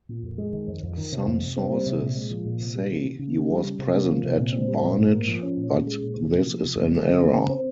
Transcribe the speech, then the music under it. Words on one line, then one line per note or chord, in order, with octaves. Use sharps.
Some sources say he was present at Barnet, but this is an error.
A#2
F2
G#3
D#3
F2
F2
D#3
C3
F2
C3
C4
G3
C3
A#2
G#3
F3
A#2
C3
G3
D#3
C3
C#3
C#4
G3
C#3
C3
A#3
F3
C3
A#2
C4
G3
A#2
G#2
A#3
F3
C#4
A#2
C#4
G#3
A#2
C3
A#3
F3
C3
F2
G#3
C#3
C4
C#3
C4